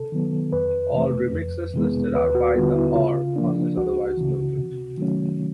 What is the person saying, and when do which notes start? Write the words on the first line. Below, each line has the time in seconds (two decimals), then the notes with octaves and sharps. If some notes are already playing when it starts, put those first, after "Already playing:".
All remixes listed are by The Orb unless otherwise noted.
Already playing: C3 A4
0.12 D#3 F#3 B3
0.53 F2 B4
0.93 C3 E3 A3
1.33 F2
1.74 C3 E3 G#3 B3
2.15 D#2 B4
2.35 F#4
2.55 D3 G3 B3 F4
2.75 E4
2.96 C#3 F4
3.36 F3 A#3 D4
3.77 C#2 F#4
4.17 C#3 E3
4.57 C3
4.98 D#3 F#3 A3 C#4